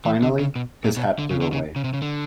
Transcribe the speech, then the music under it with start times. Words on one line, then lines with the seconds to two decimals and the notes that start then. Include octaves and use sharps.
Finally, his hat blew away.
0.05 E3
0.22 D3
0.39 C#3
0.56 B2
0.84 A#2
0.96 B2
1.19 D3
1.31 C#3
1.42 D3
1.53 C#3
1.76 C#3
1.84 C3
1.93 C#3
2.02 D3